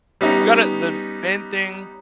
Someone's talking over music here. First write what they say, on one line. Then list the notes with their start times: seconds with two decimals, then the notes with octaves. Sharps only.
You gotta the main thing
0.21 G3 B3 C#4 D#4